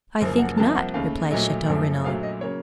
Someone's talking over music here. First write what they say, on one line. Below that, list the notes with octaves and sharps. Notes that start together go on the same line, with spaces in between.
"I think not," replied Chateau-Renaud.
F#1 F#2 F3 A#3 C5
F#5
C2 C3 F3 A#3 A5
F#5
D#2 C#3 A3 F5
A#1 A#2 F#3 A3 D#5
F#1 F#2 F3 A3
A#1 A#2 F#3 A3 F5
D#5
C#3 F#3 A#3 C#5